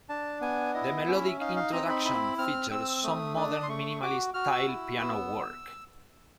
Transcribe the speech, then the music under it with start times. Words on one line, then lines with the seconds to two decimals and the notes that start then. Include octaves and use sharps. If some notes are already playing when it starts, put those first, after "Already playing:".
The melodic introduction features some modern minimalist style piano work.
0.09 D4 A5
0.41 B3 G#5
0.74 E4 D#5
1.07 C#4 E5
1.40 D#4 F5
1.56 F5
1.72 C4 A#5
1.89 B5
2.05 E4 B5
2.38 C4 F6
2.71 C4 E6
3.04 A3 D#6
3.36 D4 D#6
3.63 C6
3.69 A3 C#6
4.02 F#4 D6
4.34 F#4 F6
4.52 E6
4.68 E4
5.00 B3